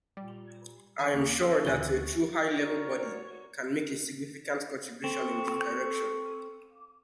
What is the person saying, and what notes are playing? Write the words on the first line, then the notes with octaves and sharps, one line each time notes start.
I am sure that a true high-level body can make a significant contribution in this direction.
A#2 G3
D#3 C#4 G#5 C#6 D6
D#2 A#3
C4 A4 E6
D2 A#2 C#3 E3 F#4 G#5 F#6 G7
F#4 A#4 C#5 D5
C4 A4 C#6